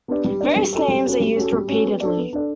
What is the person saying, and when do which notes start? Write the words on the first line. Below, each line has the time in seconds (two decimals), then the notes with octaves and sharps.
Various names are used repeatedly.
0.08 B3 D4 G4 D5
0.24 G3
0.41 B3 D4 G4 D5
0.56 G3
0.73 C#4 F#4 A4
0.88 G3
1.04 C#4 F#4 A4
1.20 G3
1.36 C#4 F#4 A4
1.52 G3
1.68 C#4 F#4 A4
1.85 B3
2.01 D4 A4 D5
2.17 B3
2.33 D4 A4 D5